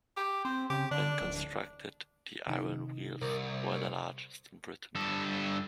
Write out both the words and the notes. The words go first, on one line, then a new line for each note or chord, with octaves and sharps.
When constructed, the iron wheels were the largest in Britain.
G4
C4 C5
C#3 G4
D3 D4
D1
C3 D#3 D#4
C2 A#4
G2 A4